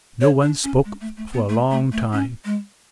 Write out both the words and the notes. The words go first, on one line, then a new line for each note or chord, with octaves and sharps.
No one spoke for a long time.
C#5
D4
C#4
G#3
A3
A3
B3
A3
A3
A3
C#4
G#3